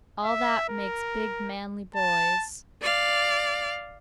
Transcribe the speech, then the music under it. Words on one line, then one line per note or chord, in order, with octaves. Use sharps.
All that makes big, manly boys.
E5
A#4
A5
D5 F5